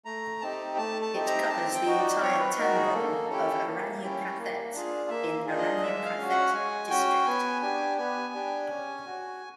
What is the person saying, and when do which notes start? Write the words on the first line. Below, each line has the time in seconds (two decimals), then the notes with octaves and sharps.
It covers the entire "tambon" of Aranyaprathet, in Aranyaprathet District.
0.05 A3 A#5
0.41 C4 D#4 G4 A5
0.77 A3 A5
1.02 A5
1.14 C4 D#4 G4
1.26 A#5
1.49 C4 A5
1.74 G5
1.85 D#4 F#4
1.98 D5
2.22 C4 C#5
2.40 B4
2.58 D#4 F#4 A#4
2.75 G#4
2.93 A#3 A4
3.30 C#4 E4 G4 A4
3.66 A#3
4.02 C#4 E4 G4
4.38 A#3
4.73 D4 F4 G#4
5.10 A#3 E5
5.46 D4 F4 G#4
5.58 D#5
5.82 G#3 E5
6.05 F5
6.18 C#4 F#4
6.30 F#5
6.53 G#3 G#5
6.90 C#4 F#4 G5
7.26 B3 G#5
7.62 D4 G4 G#5
7.98 B3 G#5
8.34 D4 G4
8.69 C#4
9.06 F#4